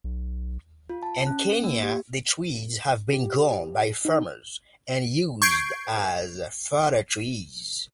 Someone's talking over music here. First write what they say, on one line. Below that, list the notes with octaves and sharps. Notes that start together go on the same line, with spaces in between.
In Kenya the trees have been grown by farmers and used as fodder trees.
B1
F4
A5
C#4
A#3
G4
G4
D#4
C#6 G6 G#6 C7 D7